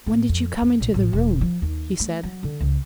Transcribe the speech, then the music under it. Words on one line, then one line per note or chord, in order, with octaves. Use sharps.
"When did you come into the room?" he said.
A2
F2
F2
A#1
A1
E1
F3
D#2
A3
F#3
D3
C#2